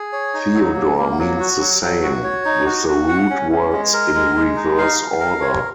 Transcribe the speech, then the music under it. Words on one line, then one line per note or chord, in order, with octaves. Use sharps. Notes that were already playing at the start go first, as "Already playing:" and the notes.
Theodore means the same, with the root words in reverse order.
Already playing: G#4
C#5
D#4
F#3
A#3
A#3
F#3
F#4
F#3
F#3
F#4
C#5
D#4
F#4
F#4
F#5
C#4
C#4
G#3
A#4
G#3
G#3
D#4
F5
F5
A#4
C#5